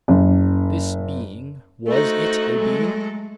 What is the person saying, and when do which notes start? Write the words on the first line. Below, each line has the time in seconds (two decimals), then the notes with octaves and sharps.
This being--was it a being?
0.08 F#1
1.87 A3 D#4 F#4 C5
2.54 F#3 G#3 A4